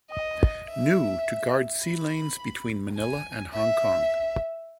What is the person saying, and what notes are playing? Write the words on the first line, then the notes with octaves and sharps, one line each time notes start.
New to guard sea lanes between Manila and Hong Kong.
D#5
E5
B5
G#5
E5